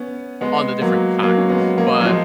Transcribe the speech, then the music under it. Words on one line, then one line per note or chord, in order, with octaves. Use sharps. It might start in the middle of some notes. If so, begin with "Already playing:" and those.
on the different kinds, but
Already playing: B3 C#4
G#3 B3
F#3 A#3
F#3 A#3
C#4
G#3 B3
F#3 A#3
F#3
F3 G#3